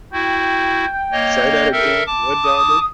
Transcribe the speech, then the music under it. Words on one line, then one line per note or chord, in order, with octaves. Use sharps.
say that again. What did y'all do?
E4 F#4 G5
A#3 C#5 D#5
A4 A#4 E5
A5 D6
D#6